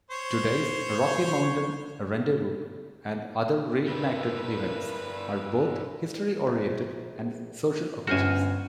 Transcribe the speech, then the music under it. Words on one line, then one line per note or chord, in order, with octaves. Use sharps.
Today's Rocky Mountain Rendezvous and other reenacted events are both history-oriented and social occasions.
C5 C#5
G2 D3 E4 A#4 B4
A#1
G1 C#4 F#4 C5 G#5 F6